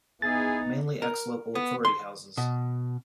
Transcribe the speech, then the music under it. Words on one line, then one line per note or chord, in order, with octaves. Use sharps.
Mainly ex-local authority houses.
B3 D#4 E4 G#4 A6
A#4
B3
C6
B2